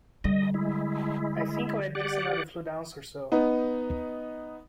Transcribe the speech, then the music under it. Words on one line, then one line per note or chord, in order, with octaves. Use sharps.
I think I'll add just another fluid ounce or so.
D3 G3 D#5
G#3 E4
G4 D5 F#5
B3 D#4